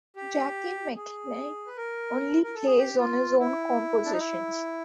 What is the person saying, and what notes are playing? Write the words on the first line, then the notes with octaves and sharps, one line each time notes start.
Jackie McLean only plays on his own compositions.
G4
G#4
B4
A#4
A#4
A4
G#4
G4
F4
E4
D4
D#4
E4